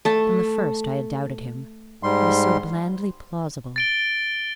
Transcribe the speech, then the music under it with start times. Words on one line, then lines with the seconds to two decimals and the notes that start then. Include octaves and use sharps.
From the first I had doubted him; he was so blandly plausible.
0.05 A3 A5
2.03 G#2 G3 C6
3.76 A6 D7 G7